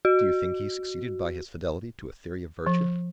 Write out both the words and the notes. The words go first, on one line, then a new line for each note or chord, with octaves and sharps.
Do you think he succeeded by his fidelity to a theory of virtue?
F#4
F3